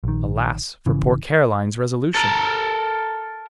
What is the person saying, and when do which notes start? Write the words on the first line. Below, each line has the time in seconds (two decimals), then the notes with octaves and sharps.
Alas for poor Caroline's resolution!
0.04 A#1 D#3
0.86 G#1 C#3 E3
2.15 A4 A#4